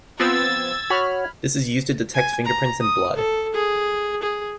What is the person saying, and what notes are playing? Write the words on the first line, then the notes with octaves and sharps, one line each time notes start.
This is used to detect fingerprints in blood.
F3 B3 C4 E6 G#6 A6
F#4 C#5 B5 F6
G#5
A#5
D#6
A4
G#4
G#4